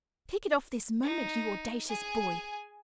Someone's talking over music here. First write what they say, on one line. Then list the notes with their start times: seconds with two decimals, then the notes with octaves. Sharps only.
'Take it off this moment, you audacious boy!
1.03 D#4
1.88 G#4 G#5